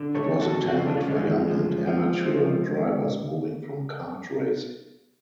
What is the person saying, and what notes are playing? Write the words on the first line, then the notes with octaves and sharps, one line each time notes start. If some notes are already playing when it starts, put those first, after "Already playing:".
It was intended for young and amateur drivers moving from Kart racing.
Already playing: D3
A4 C#5
F2
F#4 A4
C#3 F#4
F4
D4
C#4 F4
F#2 F3 G#3
F3
F3
F3